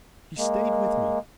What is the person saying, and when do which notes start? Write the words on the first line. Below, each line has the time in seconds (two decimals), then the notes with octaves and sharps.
She stayed with me.
0.38 G#3 A#3